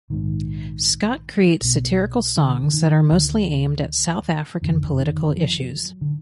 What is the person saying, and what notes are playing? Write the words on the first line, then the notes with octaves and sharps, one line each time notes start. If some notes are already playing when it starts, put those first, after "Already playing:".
Scott creates satirical songs that are mostly aimed at South African political issues.
A#1 G#2 D#3
B1 B2
D3
D3
D#3
D2 D3
F#1 F2 D3 D#3
D#3
F3
F#3
D3